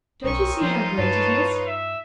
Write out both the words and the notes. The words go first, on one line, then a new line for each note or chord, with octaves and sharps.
Don't you see how great it is?
B1 C4 C#4 A#4 C#6 D#6
F3 D#4 F4 C5
G2 B4 C#5 A5 C#6
E5